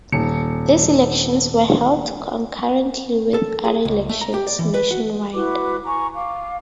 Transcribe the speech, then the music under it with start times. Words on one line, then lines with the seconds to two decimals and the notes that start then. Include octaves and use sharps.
These elections were held concurrently with other elections nationwide.
0.12 D#1 C#7
3.34 A4
3.65 G#4
3.85 C#2
4.09 A3
4.21 A#5
4.34 G4
4.47 D5
4.59 E3
4.74 B4
4.91 F#4
5.34 E4 F#4 B4 D6
5.86 G#5 A#5 C#6
6.14 F5 D6